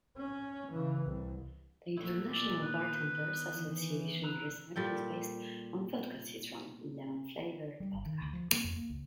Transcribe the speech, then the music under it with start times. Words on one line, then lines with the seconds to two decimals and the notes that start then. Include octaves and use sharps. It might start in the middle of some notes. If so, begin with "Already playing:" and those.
The International Bartenders Association recipe is based on vodka citron, lemon-flavored vodka.
0.17 C#4
0.71 C#3 E3
1.05 C2
1.97 A#2 F#3 A3 E4 E5
2.30 E3 D5 E5
2.62 D#3 B3 D#4 B4
3.56 E3
4.24 B4 A#5 E6
4.76 A#2 G3 A4 G5
7.80 G3
7.93 G1
8.06 D#3
8.21 D2
8.33 F3
8.52 A#3
8.64 F2
8.77 A#3
8.89 C#2